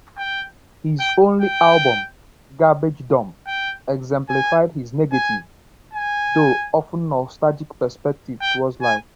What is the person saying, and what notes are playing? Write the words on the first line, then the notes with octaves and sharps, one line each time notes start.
His only album, "Garbage Dump", exemplified his negative, though often nostalgic perspective toward life.
G5
G5
G5
G5
G#5
G#5
G#5
G5
G#5